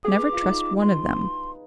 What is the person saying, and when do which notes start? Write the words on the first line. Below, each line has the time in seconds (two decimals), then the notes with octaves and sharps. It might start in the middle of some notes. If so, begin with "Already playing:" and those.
Never trust one of them.
0.04 G#4 D#6
0.08 D6
0.14 B4
0.23 G#4
0.33 F4
0.42 D#4
0.81 C6